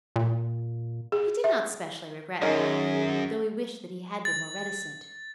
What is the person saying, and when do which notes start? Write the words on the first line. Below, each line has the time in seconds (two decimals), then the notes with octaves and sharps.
He did not specially regret that, though he wished that he had been more reticent.
0.16 A#2
1.12 G#4
1.44 E5
2.42 F#2 D#3 C#4 G#4 A#4 D#5
4.25 A6